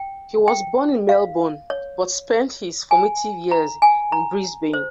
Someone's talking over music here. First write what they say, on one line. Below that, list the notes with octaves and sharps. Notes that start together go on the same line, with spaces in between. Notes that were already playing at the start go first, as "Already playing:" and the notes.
He was born in Melbourne, but spent his formative years in Brisbane.
Already playing: G5
G5
F5
C#5
G#5
A#5
G#5
A#5
C5